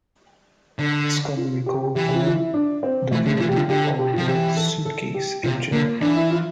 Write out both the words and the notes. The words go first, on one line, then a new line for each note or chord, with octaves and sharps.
It is commonly called the "Douvrin" or the "Suitcase" engine.
D3
F4
G4
E3 G4
F4
F4
E4
D4
C4
E3 A3
D3
F3
E3 F4
C3 G4
D3
F4
D3 G4
A4
G4
F3 F4
E3 G4
A4
A4
G4
C3 F4
D3 A#3
E3 D4
E4
F4